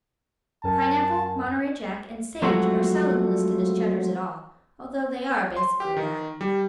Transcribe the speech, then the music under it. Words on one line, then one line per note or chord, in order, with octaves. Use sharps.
Pineapple, Monterey Jack and Sage are seldom listed as Cheddars at all, although they are basically that.
F#2 A#4 G#5 A5
F3 F#3 G#3 A3 C4 F#4
C6
G4
D#3
G3